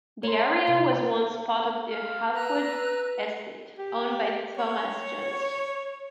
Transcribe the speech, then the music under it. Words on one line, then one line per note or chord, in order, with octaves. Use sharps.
The area was once part of the Hafod Estate, owned by Thomas Johnes.
A#4 C#5 C6
C3
F5
B4 A#5 E6 F#6
B4
G4
C#5